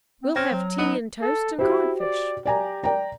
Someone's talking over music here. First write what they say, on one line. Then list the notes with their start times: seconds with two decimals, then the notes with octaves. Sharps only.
"We'll have tea and toast and codfish."
0.23 C4
0.36 C4 C#5 F6 A#6
0.51 F#3
0.78 B3 D#4
1.22 A4
1.59 E4 F#4 G4 C5
2.00 D5
2.45 G4 D5 G#5 A#5
2.84 D5 G5 A#5